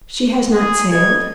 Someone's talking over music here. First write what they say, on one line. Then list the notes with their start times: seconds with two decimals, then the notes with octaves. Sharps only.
"She has not sailed?"
0.53 G#4
0.92 A4 B4 D#5 G#6